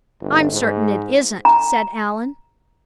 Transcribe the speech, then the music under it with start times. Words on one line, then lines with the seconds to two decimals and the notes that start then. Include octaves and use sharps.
"I'm certain it isn't," said Allan.
0.20 G1
0.52 G#2
1.45 A#5